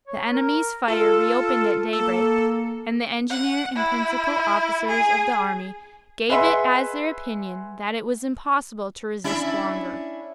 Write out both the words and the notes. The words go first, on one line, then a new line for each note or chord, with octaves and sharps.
The enemy's fire reopened at daybreak, and the engineer and principal officers of the army gave it as their opinion that it was impossible to resist longer.
C#5
A#4
F4 A4
A#3 A4
F#5
E4
G#4
G#4 B4 D#5 E5 F#5 C6
C#4 D4 E4